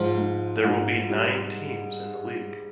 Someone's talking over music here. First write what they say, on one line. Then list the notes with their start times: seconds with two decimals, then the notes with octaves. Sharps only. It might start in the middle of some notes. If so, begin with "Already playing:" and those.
There will be nine teams in the league.
Already playing: G#2 F3 F4
0.17 G#2
0.64 G#2
1.10 G3